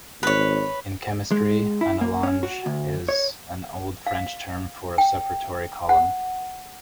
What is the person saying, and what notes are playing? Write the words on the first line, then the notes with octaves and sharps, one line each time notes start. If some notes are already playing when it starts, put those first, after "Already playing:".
In chemistry an allonge is an old French term for a separatory column.
G#1 B4 C#5
G#3
E4
A#3
C#4
F#4
D2
C#5
F5
G5
F#5